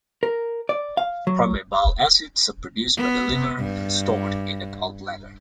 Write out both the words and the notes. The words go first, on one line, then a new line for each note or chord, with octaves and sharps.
Primary bile acids are produced by the liver and stored in the gall bladder.
A#4
D5
F5
F#3
B3
G2